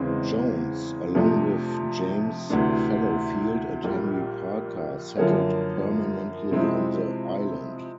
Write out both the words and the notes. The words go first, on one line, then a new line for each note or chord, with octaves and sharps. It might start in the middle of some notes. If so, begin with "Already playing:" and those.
Jones, along with James Fallowfield and Henry Parker, settled permanently on the island.
Already playing: E2 C#3 E3 G#3 C4
F2 C3 F3 A3 D4
D2 C3 E3 A3 D4
A#1 A#2 G3
F#2 D3 F3 A#3 C#4
C3 F3 G#3 C4 E4